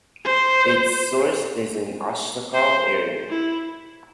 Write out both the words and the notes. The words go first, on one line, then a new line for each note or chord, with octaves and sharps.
Its source is in Ostashkov area.
C5
C5
E4